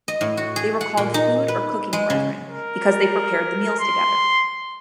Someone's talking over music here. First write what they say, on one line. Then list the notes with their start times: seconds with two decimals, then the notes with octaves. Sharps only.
They were called food-, or cooking-brethren, because they prepared the meals together.
0.08 D#5
0.21 A2
0.37 F#4
0.56 G#4
0.81 F#5
0.97 A#2
1.14 D#4
1.48 B4
1.93 G#3
2.10 C#3
2.47 A#4
3.79 C6